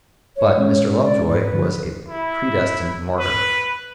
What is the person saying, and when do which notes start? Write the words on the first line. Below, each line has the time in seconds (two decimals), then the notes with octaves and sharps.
But Mr. Lovejoy was a predestined martyr.
0.36 C#5
0.56 A#2 G#3 C#4
1.03 D5
1.29 G#2 B4
1.52 G2 D3 F3
2.08 E4
3.19 B4